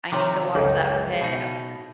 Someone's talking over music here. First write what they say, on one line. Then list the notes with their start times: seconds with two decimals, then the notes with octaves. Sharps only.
I need to watch that with him.
0.12 C3 D#3 C#5 C6 D6
0.55 C#2 F#2 G#4 A4 C#5
1.21 B2 D#4